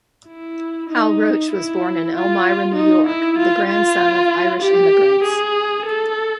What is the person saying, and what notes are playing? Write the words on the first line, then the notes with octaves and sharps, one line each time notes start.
Hal Roach was born in Elmira, New York, the grandson of Irish immigrants.
E4
D#4
E4
F4
D#4
E4
F4
F4
G4
G#4
A4